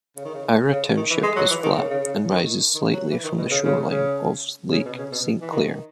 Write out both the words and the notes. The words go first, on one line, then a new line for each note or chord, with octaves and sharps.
Ira township is flat and rises slightly from the shoreline of Lake Saint Clair.
C#3
D#3
C#3
C#3
D#3
E3
G#3
F#3
E3
D#3
C#3
C#3
C#3
D#3
D#3
F#3
E3
D#3
B2
C#3
C#3
C#3
C#3
B2
C#3
B2
E3
D#3